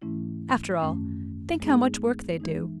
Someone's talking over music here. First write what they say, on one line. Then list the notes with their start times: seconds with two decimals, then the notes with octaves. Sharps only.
After all, think how much work they do.
0.02 G#2 E3 A3 C#4 E4
0.81 F#2 D#3 A3 C#4
1.60 G#3 B3 D#4 G#4
2.40 E3 G#3 D#4